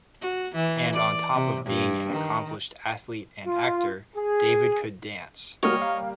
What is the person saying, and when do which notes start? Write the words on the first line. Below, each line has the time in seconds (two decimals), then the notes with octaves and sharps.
And on top of being an accomplished athlete and actor, David could dance.
0.22 F#4
0.55 E3
0.93 D5
1.34 C3
1.64 G2
2.13 D#3
3.46 F4
4.16 G#4
5.63 G3 A#3 F#4 A#4 C#5 D#5 F6
5.82 F5